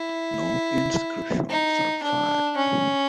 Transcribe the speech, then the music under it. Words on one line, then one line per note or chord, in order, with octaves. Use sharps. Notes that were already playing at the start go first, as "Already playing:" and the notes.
No inscription survives.
Already playing: E4
D#4
D4
C#4